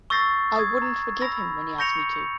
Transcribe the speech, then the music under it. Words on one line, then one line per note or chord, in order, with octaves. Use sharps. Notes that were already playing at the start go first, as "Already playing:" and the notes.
I wouldn’t forgive him when he asked me to.
C#6 E6 G6 A6 A#6 C7
D#6 G#6
A#5
B5 E6 A#6
C#6 G6 A#6 C#7 F7